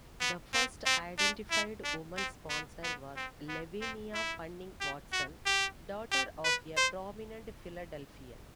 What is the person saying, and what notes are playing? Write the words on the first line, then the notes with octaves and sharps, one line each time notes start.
The first "identified" woman sponsor was Lavinia Fanning Watson, daughter of a prominent Philadelphian.
B3
C4
C4
D4
E4
D4
C4
B3
B3
C4
B3
C4
E4
G4
F#4
G4
G4
B4
C5